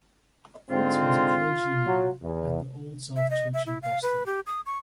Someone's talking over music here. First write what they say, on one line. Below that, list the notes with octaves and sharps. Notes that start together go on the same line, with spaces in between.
Prince was a clergyman at the Old South Church in Boston.
G#2 D3 C4 F4
F#3
E2
E5
D#5
E5
E4
F5
B4
G4
D#6
C#6